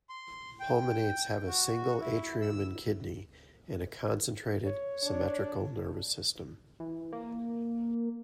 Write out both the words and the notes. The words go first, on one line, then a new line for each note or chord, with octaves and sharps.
Pulmonates have a single atrium and kidney, and a concentrated, symmetrical, nervous system.
C6
G5
F#4
E4
E6
C#5
D4
E3
A#3